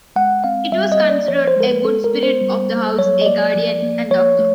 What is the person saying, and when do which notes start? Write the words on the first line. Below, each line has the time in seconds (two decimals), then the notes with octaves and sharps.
It was considered a good spirit of the house, a guardian and doctor.
0.16 G#3 F#5
0.44 C4 F5
0.72 G3 E5
0.92 D#5
1.00 A#3
1.09 D5
1.28 F3 C#5
1.48 C5
1.56 G#3 A#4
1.66 B4
1.85 G#3 A4
2.04 A#4
2.14 B3
2.23 C5
2.41 G3
2.70 A#3
2.98 F#3 C#5
3.22 D#5
3.26 A#3 D5
3.55 F3
3.83 A#3
4.11 F3 C#5
4.39 A3